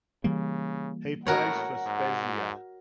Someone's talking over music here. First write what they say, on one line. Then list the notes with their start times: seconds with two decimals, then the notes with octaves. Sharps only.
He plays for Spezia.
0.24 C#3 E3 G3 A#3
1.27 A2 F#4 A#4 C#5 F#5
1.86 G#2